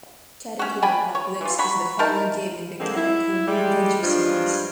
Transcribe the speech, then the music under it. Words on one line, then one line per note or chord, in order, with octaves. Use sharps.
"Catacomb Apocalypse" is the final game in the "Catacomb Adventure Series".
C#4 F#4
D5 G5 G#5 B5
C#5
E3 F4
F#3 F#4 B5 C#6
D#4 E4 A#4 A5
D3 G#3 A#3 C4
E4
G3 G#3
G2 F3 G#3 D4 F4